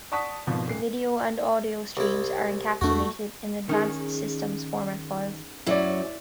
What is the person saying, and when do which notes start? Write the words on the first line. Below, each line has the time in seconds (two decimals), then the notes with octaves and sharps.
The video and audio streams are encapsulated in Advanced Systems Format files.
0.12 D5 F#5 A5 C#6 D#6 B6
0.47 G#1 B2 F3
0.67 D#1 C7
1.97 C2 E4
2.81 E2 A3 D4 F#4
3.69 D#3 C#4 D#4 G#4
5.66 F#2 F#3 E4 D5